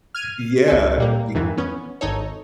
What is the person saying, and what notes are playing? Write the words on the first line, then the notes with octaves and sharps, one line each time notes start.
yeah, you
F6 G#6 D#7
C#2 A4 G#5
A#2 G3 A#3
F2 G#2 D#3 E3
B3 C#4
G#1 D#4 A4 C#5